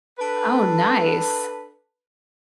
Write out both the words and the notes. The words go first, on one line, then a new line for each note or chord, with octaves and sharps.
Oh, nice.
D4 A4 B4